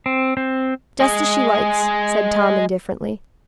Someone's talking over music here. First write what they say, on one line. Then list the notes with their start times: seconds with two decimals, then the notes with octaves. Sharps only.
"Just as she likes," said Tom indifferently.
0.06 C4
0.37 C4
1.00 G#3 G#4